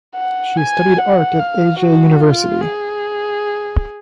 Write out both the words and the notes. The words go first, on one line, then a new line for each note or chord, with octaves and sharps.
She studied art at Ege University.
F#5
G#5
F#5
F5
F#4
F4
G#4